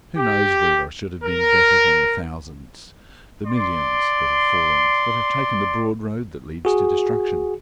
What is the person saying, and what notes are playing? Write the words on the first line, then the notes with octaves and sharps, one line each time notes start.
Who knows whether I should have been better than the thousands, the millions, that have fallen, that have taken the broad road that leads to destruction.
G4
A#4
D5 C6
F#4 G#4